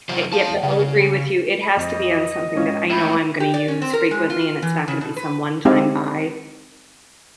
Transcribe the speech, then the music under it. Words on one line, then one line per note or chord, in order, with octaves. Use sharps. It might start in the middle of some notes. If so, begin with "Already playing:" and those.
yet, but I agree with you, it has to be on something that I know I'm gonna use frequently and it's not gonna be some one-time buy
E2 C3 F#3 F4 C5
F5 A5
C#3
F2 D#5
G#2 C#4 F4
A2 B5
G4
D5
C#4
C4
A#4
G#3
F4
E3
C#3
B2
B4
G#3 C4 D#4 G4 E5 F5